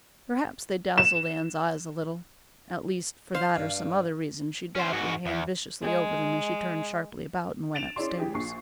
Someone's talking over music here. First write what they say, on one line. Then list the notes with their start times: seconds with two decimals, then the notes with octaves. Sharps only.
Perhaps they dazzled Anne's eyes a little; at least, for that or some other reason she dabbed her hand viciously over them as she turned sharply about and went upstairs.
0.98 E7
3.35 C5 F5
3.56 G2
4.76 C#4 C5
4.93 G#2 F#4
5.26 E2
5.82 G#3
7.75 A6 D7 E7 F7
7.96 C#4 E4 G#4 C#5 D5 C6
8.17 E3 G4 G#4
8.34 A#1 A#2 C#6 C7